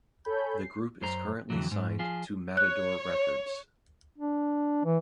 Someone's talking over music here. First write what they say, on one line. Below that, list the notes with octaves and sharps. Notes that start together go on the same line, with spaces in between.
The group is currently signed to Matador Records.
A4 C#5 G#5 B5 G6
C7
F#2 C5 A#5
F2 A2 D3 E3 F#3
G#2
F3 F4 G#4
C#5 F#6
D4
E3